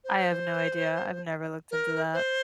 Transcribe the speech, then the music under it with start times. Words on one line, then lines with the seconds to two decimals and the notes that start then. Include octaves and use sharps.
I have no idea; I've never looked into that.
0.04 C5
1.71 A#4
2.14 C5